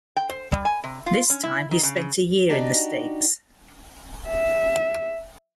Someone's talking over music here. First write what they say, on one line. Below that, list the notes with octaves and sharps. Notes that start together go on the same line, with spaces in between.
This time he spent a year in the States.
G5
C5
G3
G#5
C3
F4
C#4
E4
D#3
C#3
C#3
D4 D#4 F#4 G4 D5 D#5
E5